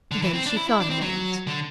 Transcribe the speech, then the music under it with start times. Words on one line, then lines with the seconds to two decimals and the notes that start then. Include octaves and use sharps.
Then she thought a moment.
0.11 D3
0.22 E3
0.34 C4
0.46 D4
0.57 E4
0.69 E4
0.80 D4
0.90 C4
1.01 F#3
1.47 D3